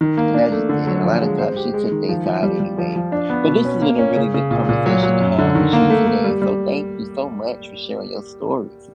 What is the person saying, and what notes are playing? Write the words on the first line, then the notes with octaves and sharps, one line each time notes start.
and I just didn't. A lotta times, she took they side anyway, but this has been a really good conversation to have with you today, so thank you so much for sharing your stories.
D#3
A#3
D4
A3
D3
F#3
F3
G#3
C5
G4
G#3
D#3
F3
F3
G3
G3
F3
F3
D4
B3
B2
C#4
A#3
C#4
C#3
C#3
A#2
A#2
F#3
F#3
F#2
D3
D#3
A#3
A3
A3
G3
G3